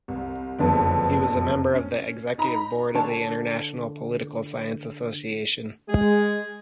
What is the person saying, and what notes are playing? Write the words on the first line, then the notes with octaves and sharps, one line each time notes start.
He was a member of the Executive Board of the International Political Science Association.
C2
F#1 F2 D3 B3
C#4
D#4 A#5 B5
D3 D4 C#5 A5
G#3 G#4